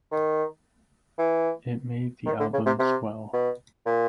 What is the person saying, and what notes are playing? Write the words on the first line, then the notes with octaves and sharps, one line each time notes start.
It made the album swell.
D#3
E3
D#3
D3
C#3
C3
C3
B2
A#2